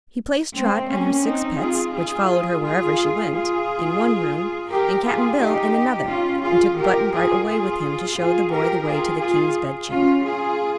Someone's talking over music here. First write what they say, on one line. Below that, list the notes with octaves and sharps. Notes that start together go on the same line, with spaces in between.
He placed Trot and her six pets--which followed her wherever she went--in one room, and Cap'n Bill in another, and took Button-Bright away with him to show the boy the way to the King's bedchamber.
G#3 C4
A#3 C#4
C4 D#4
F4 G#4
F4 G#4
F4 G#4
F4 G#4
G4 A#4
F4 G#4
D#4 G4
C#4 F4
F4 G#4
G4 A#4
F4 G#4
F4 G#4
F4 G#4
G4 A#4
F4 G#4
F4 G#4
C#4 F4
F4 G#4